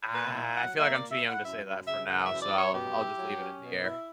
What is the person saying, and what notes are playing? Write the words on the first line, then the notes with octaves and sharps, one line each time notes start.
Ah, I feel like I'm too young to say that for now, so I'll I'll just leave it in the air.
A#2 B4
E4
F#3 F#5
A#3 E5
D5
A#2
E5
E4
F#5
F#2 E5
F#2
C#3 E5
E3 F#5
E5
F#2
D5
F#2
C#5
B2 G4
E4
F#3
C#4
B2
E4